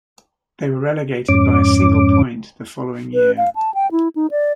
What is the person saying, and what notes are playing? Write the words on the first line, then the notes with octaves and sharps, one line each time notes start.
They were relegated by a single point the following year.
F2 G#2 C#4 D6
B4
F5
A5
G5
E4
D#4
D5